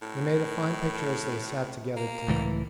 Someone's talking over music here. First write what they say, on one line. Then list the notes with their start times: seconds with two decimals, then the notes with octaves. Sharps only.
They made a fine picture as they sat together to-night.
0.02 A2
1.97 A#3
2.28 C#2 A2 E3